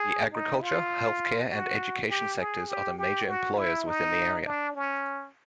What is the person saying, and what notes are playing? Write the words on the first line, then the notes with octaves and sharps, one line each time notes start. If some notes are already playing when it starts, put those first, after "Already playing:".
The agriculture, healthcare and education sectors are the major employers within the area.
Already playing: G#4
D#4
F4
F#4
G4
G#4
G4
G4
F#4
E4
D#4
D4
C#4